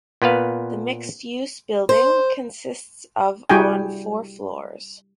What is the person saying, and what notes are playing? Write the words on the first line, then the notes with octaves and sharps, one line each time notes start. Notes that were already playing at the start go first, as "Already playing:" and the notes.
The mixed use building consists of on four floors.
A#2 B3 B4 F5
C5
G3 E4 F#4 G#4 G5 G#5